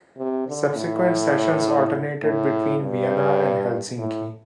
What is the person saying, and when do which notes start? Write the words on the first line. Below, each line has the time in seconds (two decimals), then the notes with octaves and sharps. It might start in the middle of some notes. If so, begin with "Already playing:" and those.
Subsequent sessions alternated between Vienna and Helsinki.
0.17 C3
0.47 D3
0.76 A2
2.23 A2
2.81 G2
3.98 A2